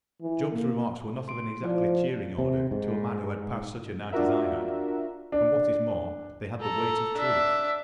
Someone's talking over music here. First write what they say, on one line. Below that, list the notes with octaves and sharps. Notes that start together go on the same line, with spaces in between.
Job's remarks were not of an exactly cheering order to a man who had passed such a night as I had; and, what is more, they had the weight of truth.
E3
A#3
C6 D7
F3 E4 C5 D5
C3
G#2
D4 F4 F#4 A#4 E5
D4
A4 A#5
D4 E5